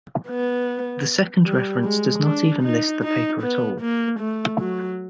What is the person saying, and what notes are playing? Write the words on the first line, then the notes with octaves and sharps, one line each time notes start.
The second reference does not even list the paper at all.
B3
G3
G#3
D4
D#4
D#4
B3
A#3
A3
F#3